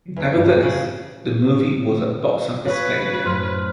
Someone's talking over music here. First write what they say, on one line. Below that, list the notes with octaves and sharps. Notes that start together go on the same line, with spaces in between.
Nevertheless, the movie was a box office failure.
E2
G2
F2
C#3
B4 C#5 F5
F#2 A2 C5 C6 F6